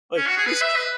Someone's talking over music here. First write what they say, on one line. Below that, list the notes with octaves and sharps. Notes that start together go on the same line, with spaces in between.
Like, this kid
C#4
F#4
G#4
B4
E5
B4